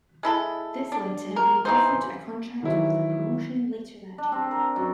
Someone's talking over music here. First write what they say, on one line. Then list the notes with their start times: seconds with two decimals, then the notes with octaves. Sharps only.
This led to him being offered a contract with the promotion later that year.
0.23 G#3 E4 A4
0.92 D4
1.36 A#4
1.65 E3 D#4 C5
2.63 D#3 E3 F#3 E4
4.18 D4
4.32 C4
4.51 A#4
4.76 F#2